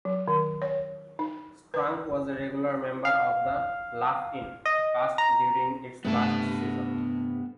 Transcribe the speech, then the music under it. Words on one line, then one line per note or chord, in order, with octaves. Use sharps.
Strunk was a regular member of the "Laugh-In" cast during its last season.
F#3
D#3
C#5
D#4
B4
F5
D#5
A#5
G2 C3 A3 B3 A5